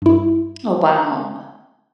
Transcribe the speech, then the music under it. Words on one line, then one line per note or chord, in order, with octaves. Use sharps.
Oh, wow.
G2 E4